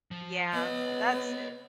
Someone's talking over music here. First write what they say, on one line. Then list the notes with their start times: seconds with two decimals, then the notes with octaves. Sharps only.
Yeah. That's e
0.11 F3
0.53 B3 C#5 D#5